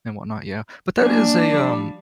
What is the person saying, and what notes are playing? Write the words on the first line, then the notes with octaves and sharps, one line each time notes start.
and whatnot, yeah, but that is a, um
F#3 A#3 D4 G#5
F3 G3